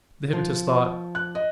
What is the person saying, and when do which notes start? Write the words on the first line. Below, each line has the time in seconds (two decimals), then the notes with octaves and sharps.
The hypnotist thought.
0.33 F3
1.15 F#6
1.35 D#5